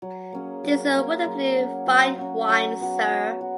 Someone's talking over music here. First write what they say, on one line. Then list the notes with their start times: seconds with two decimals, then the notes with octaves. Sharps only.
This is wonderfully fine wine, sir!
0.02 F#3
0.33 A#3 C#4 G#4
0.64 F#3
0.95 A#3 C#4 G#4
1.25 F#3
1.56 C#4 F#4
1.86 F#3
2.18 C#4 F#4
2.48 F#3
2.80 B3 F#4
3.10 F#3
3.41 F#4